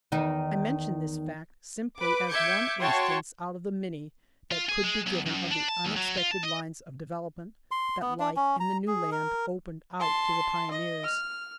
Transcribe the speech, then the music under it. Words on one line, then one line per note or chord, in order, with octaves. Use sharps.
I mention this fact simply as one instance out of the many that could be given of the unexpected lines of development that life in the new land opened out to the pioneers.
E2 D#3 D#4
B4 D6
E5 D6 G6 G#6 C#7
F#4 C#5 G5 A5 C6 C#6
F4
G#4
G#3
B1
F#2
D4
A5
D#2
F#3
F4
A5
D#5
C6
B3
D4
C#4
A#5
G#4
A#4
A5 C6
D#5
F6